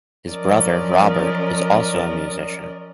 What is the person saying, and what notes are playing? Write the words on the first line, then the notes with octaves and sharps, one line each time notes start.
His brother, Robert, is also a musician.
F3 F#3 C#4 A#4 D5 D#5